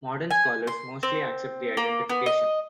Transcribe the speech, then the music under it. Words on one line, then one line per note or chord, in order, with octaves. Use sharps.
Modern scholars mostly accept the identification.
G#5
C6
C4
A#3
B3
D#5